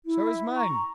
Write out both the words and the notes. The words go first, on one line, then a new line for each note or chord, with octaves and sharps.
"So has mine."
E4
A#5 C#6